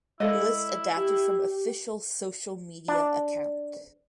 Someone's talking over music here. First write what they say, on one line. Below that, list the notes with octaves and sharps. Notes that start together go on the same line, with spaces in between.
List adapted from official social media account.
G#3 E4 A4 D5 D#5
G4
D4